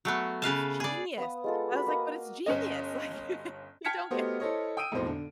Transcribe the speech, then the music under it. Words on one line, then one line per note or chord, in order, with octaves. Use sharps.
"That's genius." I was like But, it's genius. Like, you don't get
F#3 A3 B3
C#3 B4 F5 A5
G#4 D5
B3 F5 D#6
G#3 F4 A4
F#4 B4 B5
A#3 D#5 A5 D#6
G1 C#4 D#5
G5 A5 F6 G#6 B6 C#7
A3 B3 F#4 G4 C5 D#5
E4 A4 C5 C#5 D#5
G5 D#6 E6 D7 D#7
E1 B1 F2 A2 C5
D3